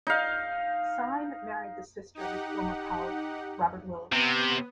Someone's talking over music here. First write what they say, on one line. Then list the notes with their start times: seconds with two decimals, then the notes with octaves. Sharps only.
Syme married the sister of his former colleague, Robert Willis.
0.07 D#4 F5
2.15 D#4 G4 F#5
4.12 C3 B3